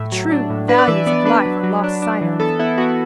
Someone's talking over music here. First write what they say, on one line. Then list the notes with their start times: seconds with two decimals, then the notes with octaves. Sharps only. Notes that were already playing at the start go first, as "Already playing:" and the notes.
The true values of life are lost sight of.
Already playing: A2 E5
0.12 F#3
0.31 D4
0.50 A2
0.68 D4 B4
0.78 D5
0.88 E3 E5
1.06 B3 D5
1.25 D4 B4
1.46 F#3
1.63 F#3
1.84 D4
2.02 D4
2.21 E3
2.40 B3 A4
2.59 B3 E4
2.78 B3 F#4